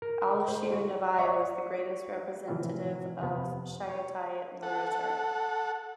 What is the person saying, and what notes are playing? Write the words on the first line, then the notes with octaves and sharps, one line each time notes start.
Ali-Shir Nava'i was the greatest representative of Chagatai literature.
A#4
C5
F#4
C#5 D5 E5 F#5 C#6
A2 C3 E3 F3 C4 F4
F2 C3 B3
C#5
A4 F#5